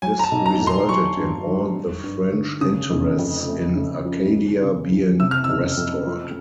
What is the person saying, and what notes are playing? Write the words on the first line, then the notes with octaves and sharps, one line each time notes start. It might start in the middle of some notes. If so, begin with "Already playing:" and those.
This resulted in all the French interests in Acadia being restored.
F#3 G#5
A#5
A5
B1
A#5
A2
C6
F#3 C#6
G2
D#3
G3
G2
D3
C#3 D#6
F1
F2
A3
C#3
F3
G#3
C#3
E3
C3 E6
F6
F#1 E6
F2
F3